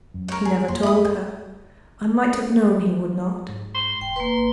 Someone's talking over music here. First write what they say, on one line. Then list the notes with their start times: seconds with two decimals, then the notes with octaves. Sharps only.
He never told her: I might have known he would not!'
0.14 F#2
0.28 A#4 C#5
0.45 G#4
0.68 F#2 A#3 C6
0.83 E4 D#6
3.49 G#2
3.75 C6
4.01 E1 G5
4.16 A#3 B4 C6
4.38 G#1